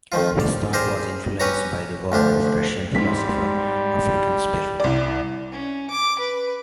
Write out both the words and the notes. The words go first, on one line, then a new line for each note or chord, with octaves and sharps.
His thought was influenced by the work of the Russian philosopher African Spir.
F2 D#3 F3 F4
D5
G4 G#4 A#4 C5 D5
C#4 G4 B4 C#5 A#5
D2 F3 D4 G4
G#2 G3 B6
C2 D5
C#4
D6
B4